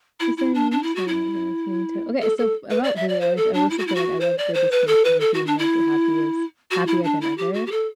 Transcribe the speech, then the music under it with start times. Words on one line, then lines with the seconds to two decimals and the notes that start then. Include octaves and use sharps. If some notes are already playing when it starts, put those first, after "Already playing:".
Is there a new song I've been listening to? Okay, so f about Billie Eilish, I also feel like I love the distinction between, like, happiest Happier Than Ever
0.20 E4
0.37 E4
0.54 D4
0.71 D4
0.82 E4
0.95 F#4
1.07 E4
2.21 A4
2.38 A4
2.70 B4
2.83 D5
2.96 E5
3.08 D5
3.20 C5
3.37 A4
3.54 D4
3.70 E4
3.78 F#4
3.87 E4
3.95 F#4
4.20 C5
4.38 D5
4.54 C5
4.71 B4
4.87 A4
5.04 B4
5.20 A4
5.34 F#4
5.46 D4
5.58 E4
6.71 F#4
6.87 E4
7.04 D4
7.21 E4
7.37 G4
7.53 F#4
7.66 G4
7.71 A4